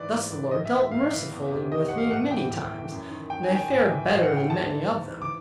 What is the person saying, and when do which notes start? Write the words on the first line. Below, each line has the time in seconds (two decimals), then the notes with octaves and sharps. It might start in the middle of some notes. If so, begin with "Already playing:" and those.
Thus the Lord dealt mercifully with me many times, and I fared better than many of them.
Already playing: G#2 E3 D5
0.11 G#2
0.32 E3
0.51 A2 D#5
0.65 E5
0.71 E3
0.91 A2 F5
1.11 E3
1.31 E2
1.51 C3
1.71 D#3 D#5
1.88 E2 F#5
1.98 F5
2.11 A2 F#5
2.31 E3 G5
2.51 A2
2.71 E3
2.91 F#2
3.10 D#3
3.30 F#2 G5
3.43 G#5
3.50 D#3 G5
3.67 A2 G#5
3.79 G5
3.91 E3
4.10 A2 F5
4.23 F#5
4.31 E3
4.37 G5
4.50 G#2 A5
4.69 E3
4.89 G#2
5.09 E3
5.22 D6